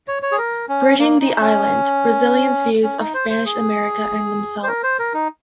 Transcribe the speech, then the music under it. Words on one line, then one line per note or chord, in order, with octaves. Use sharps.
Bridging the Island: Brazilians' Views of Spanish America and Themselves.
C#5
C#5
G#4
A#4
C#4
A#3
D#4
C#4
C#4
D#4
C5
C5
G#4
C5
A#4
C5
A#4
D#4